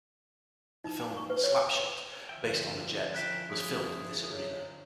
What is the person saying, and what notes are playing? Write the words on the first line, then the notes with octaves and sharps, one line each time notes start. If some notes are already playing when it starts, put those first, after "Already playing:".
The film "Slap Shot", based on the Jets, was filmed in this arena.
D#4
G#5
C#6
B4
C#5
D3 F3 C#4 F4 E5 G5
E4 A#4 G5 F#6 B6 E7
E4 G#4
F#3